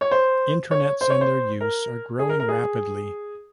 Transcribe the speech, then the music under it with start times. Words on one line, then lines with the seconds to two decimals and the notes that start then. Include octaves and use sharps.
Intranets and their use are growing rapidly.
0.01 C#5
0.11 C5
0.71 C#5
1.01 C5
1.10 C#5
1.21 C5
1.61 A#4
2.19 G#4
2.29 A#4
2.40 A#4
2.49 G#4